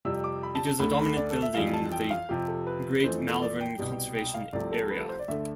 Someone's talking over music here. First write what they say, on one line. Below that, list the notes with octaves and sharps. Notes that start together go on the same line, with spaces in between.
It is a dominant building in the Great Malvern Conservation area.
F2 C3 G3 E6
D6
B5
A5
A5
D2 D3 A3 B5
B5
D5
A4
E5
F2 E3 G3 F5
A5
G5
F5
F2 C3 F3 G4
A4
B4
F2 E3 A3 C5
A4
D5
G5
C2 B2 G3
G5
F5
C2 C3 F3 A3 D5
A4
B4
A4
C5
D5
D2 D3 A3 E5